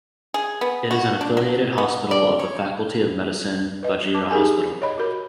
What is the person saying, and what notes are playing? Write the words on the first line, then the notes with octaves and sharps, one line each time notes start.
It is an affiliated hospital of the Faculty of Medicine Vajira Hospital.
G#4
B3
F#4
D4
F#3
B3
D5
C#5
B4 D#5
A5 D6
D#4 G4 G#4 A#4 G#5
C#5 D#5 B5
F#4 A#4